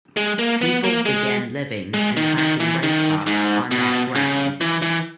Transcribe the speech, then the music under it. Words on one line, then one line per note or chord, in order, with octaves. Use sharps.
People began living and planting rice crops on that ground.
G#3
A#3
B3
A#3
G#3
G#3
D#3
D#3
E3
D#3
G#2
B2
C#3
E3
E3